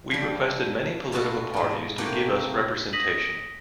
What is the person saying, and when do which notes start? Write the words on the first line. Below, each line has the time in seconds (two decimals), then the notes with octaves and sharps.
We requested many political parties to give us representation.
0.11 F3 G3
1.12 B2 A3 F4 F#4 A5 A#5
1.54 G#2 G#3
1.98 C3 A3 A#3 C4 F#4 G4
2.93 D#6 A#6 B6 D#7 F#7